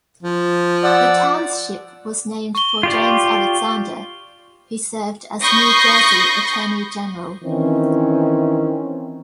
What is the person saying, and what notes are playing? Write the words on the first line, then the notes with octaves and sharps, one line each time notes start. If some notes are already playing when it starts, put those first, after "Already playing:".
The township was named for James Alexander, who served as New Jersey Attorney General.
F3
D5 F#5 E6
C#6 G7
F4 G4 D5
B5 C#6 D#6 G6 A#6 C7
D#3 E3 C4 C#4